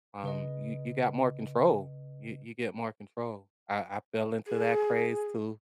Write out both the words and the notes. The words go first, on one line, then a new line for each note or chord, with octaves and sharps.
Um, you you got more control. You you get more control. I I fell into that craze too,
C#3 B4 D#5
G#4